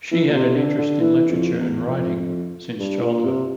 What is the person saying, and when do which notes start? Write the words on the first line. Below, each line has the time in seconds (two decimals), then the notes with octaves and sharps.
She had an interest in literature and writing since childhood.
0.11 E3
0.29 A#2
0.34 C3
0.56 D3
0.78 D3
1.00 E3
1.30 F2
1.60 E2
1.86 E2
1.90 F2
2.19 F2
2.79 G2
3.01 A#2
3.24 C3